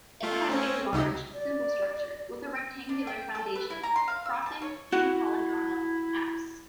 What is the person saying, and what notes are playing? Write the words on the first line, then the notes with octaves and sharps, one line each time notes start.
It has a large, simple structure, with a rectangular foundation, crossing, and polygonal apse.
A3 F4
C4 C#4
C#2 C3 D#4
D5
D4
G5
A4
B4
E4
A#5
C6
F5
E6
A5
C#5
E4 F#4